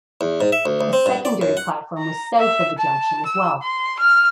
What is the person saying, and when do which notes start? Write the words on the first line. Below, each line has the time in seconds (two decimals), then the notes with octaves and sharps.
A secondary platform was south of the junction as well.
0.21 E2
0.41 G#2
0.52 E5
0.66 D2
0.81 D2
0.93 C4
1.06 G2
1.25 D5
1.41 F#2
1.57 F#5
1.98 A#5
2.39 E5
2.78 A5
3.25 E6
3.62 C6
3.99 F6